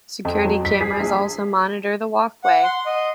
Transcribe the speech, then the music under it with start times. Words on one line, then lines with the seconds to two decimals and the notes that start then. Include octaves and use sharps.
Security cameras also monitor the walkway.
0.25 F2
0.45 F#3
0.65 B6
0.81 G#4
1.00 A#1
2.44 F#5
2.64 C6
2.86 D#5